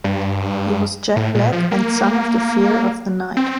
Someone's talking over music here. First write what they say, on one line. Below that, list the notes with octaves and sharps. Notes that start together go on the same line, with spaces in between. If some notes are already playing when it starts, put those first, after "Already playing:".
He was jet black and son of the fear of the night.
G2
A2
A#2
F3
A#3
C4